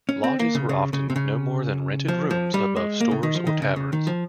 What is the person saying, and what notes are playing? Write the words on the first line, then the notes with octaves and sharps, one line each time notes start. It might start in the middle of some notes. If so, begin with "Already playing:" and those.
Lodges were often no more than rented rooms above stores or taverns.
C#4
C4
A#3
C#3
C#3
C#3
C3
C#3
F3
F3
G3
G#3
A#3
C#3
D#3
F3
D#3
C#3
C#3
D#3
F3